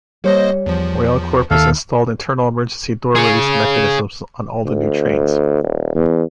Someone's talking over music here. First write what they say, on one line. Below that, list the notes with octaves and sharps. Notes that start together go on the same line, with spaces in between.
RailCorp has installed internal emergency door release mechanisms on all the new trains.
G3 A#3 C5 C#5 D#5
E2 F3
D#2 D#3 A4 E5 F5
G#4 C#5
D2
D#1
E2